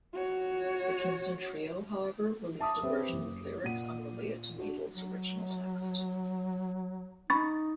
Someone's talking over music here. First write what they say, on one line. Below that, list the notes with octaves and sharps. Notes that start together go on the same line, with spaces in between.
The Kingston Trio, however, released a version with lyrics unrelated to Meidell's original text.
F#4 C#5
E5 A5 D6 D#6
C4 G4 B4 E5
F#1
A#2 F#5 D#7
D4 F#4
F#3
D#4 B5 C#6 A6